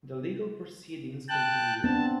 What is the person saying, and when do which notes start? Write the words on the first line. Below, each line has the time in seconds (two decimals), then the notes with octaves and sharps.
The legal proceedings continue.
1.29 G5 A5 F#6
1.84 B3 C4 D4 A5